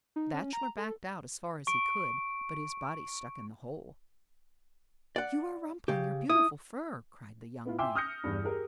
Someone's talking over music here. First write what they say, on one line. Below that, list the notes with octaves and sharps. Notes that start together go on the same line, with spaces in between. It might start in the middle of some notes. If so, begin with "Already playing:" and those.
The Bachelor backed out as far as he could, but his body stuck in the hole. "You are rumpling your beautiful fur," cried the young Mink.
D#4
C#4
A#5
A4
C#6 D7
D5 F#5
C#3 G4
E4 D#6
B3 E4 F4
E5 G5 G#5 C6 D6 E6
D#6 F6 G6 A#6 C#7
E2 G2
G4 G#4 A#4